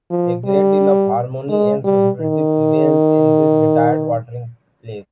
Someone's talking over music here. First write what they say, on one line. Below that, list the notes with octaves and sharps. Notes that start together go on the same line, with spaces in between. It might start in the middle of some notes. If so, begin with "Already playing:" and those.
A great deal of harmony and sociability prevails in this retired watering place.
F3
G3
G#3
G3
D#3